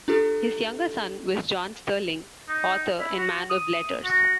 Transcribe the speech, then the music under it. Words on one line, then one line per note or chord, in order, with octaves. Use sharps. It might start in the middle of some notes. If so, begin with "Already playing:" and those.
His younger son was John Sterling, author and man of letters.
D4 F4 G4 A4
D#4
E4
F#4
D#6
F#4